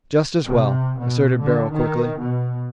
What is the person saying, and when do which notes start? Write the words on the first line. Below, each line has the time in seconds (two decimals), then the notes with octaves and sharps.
"Just as well," asserted Beryl, quickly.
0.45 C3
0.97 B2
1.40 D3
1.72 D#3
2.18 B2